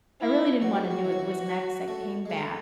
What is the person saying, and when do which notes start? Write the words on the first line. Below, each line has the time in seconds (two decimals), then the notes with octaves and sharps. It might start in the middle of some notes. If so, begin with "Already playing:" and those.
I really didn't wanna do it, it was an ex that came back
0.20 E4
0.62 F#3 F#4
0.76 G#3
0.91 F#3
1.04 E3
1.12 F#3
1.19 E3
1.46 F#3
1.88 A3
2.26 G#3
2.30 A3